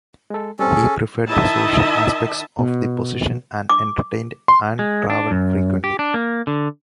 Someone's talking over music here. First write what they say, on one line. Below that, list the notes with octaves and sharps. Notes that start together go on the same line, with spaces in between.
He preferred the social aspects of the position and entertained and travelled frequently.
G#3 A4
G3 C4 C#4 A4
G#4
D#3 E4 D#5 E5 A5
B2
D6
C6
G#3
D4
F#2
G4
D4
A#3
D3